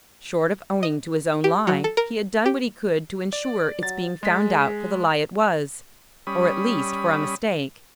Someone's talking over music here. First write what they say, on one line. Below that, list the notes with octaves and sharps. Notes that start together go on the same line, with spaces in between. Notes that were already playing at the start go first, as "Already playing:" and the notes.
Short of owning to his own lie, he had done what he could to insure its being found out for the lie it was--or, at least, for a mistake.
D#5
G4
F#3
A4
A#4
G4
D5
F#3 A6
G#3 G#4 B6
G3 C#4 B5 D#6